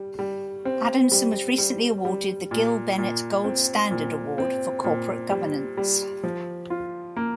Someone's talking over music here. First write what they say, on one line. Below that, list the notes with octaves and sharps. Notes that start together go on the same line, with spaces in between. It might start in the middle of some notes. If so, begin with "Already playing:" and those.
Adamson was recently awarded the "Gil Bennett Gold Standard Award" for corporate governance.
Already playing: G3
G3
C4
G3
G3
G3
A#2
A#2
C4
A#2
C4
A#2
G3
G3
F3
F4
A#3